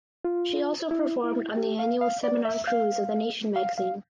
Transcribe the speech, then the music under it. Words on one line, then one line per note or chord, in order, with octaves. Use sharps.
She also performed on the annual Seminar Cruise of "The Nation" magazine.
F4
E4
E4
G4
F5
F5
D5
E5
F5
F5
F5